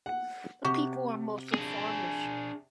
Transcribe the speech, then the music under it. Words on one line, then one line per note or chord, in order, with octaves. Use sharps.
The people are mostly farmers.
F#5
C3 F#4 G4
D4 G#4